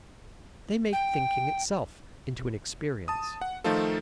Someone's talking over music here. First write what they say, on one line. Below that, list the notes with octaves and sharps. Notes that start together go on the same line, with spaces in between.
They make thinking itself into an experience.
G5
A5 D#6
F#5
D#3 F3 A3 D#4 F4 A4